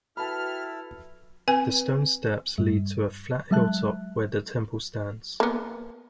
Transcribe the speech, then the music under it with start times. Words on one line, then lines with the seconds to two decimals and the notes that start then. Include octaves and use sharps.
The stone steps lead to a flat hilltop where the temple stands.
0.17 E4 F#4 A4 B4 G5 A5 B5 F6
1.48 C4 B4 G#5
2.58 G2 G3
3.51 F#3 G#3 E5 A5 F#6
5.40 A#3 B3